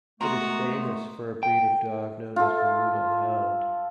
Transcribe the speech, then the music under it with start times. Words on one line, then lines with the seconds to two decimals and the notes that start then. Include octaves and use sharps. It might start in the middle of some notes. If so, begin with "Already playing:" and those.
It is famous for a breed of dog known as the Mudhol Hound.
0.21 D#3 G#3 A3 B3 F#4 A#5 C6
1.43 G5
2.36 F4 A4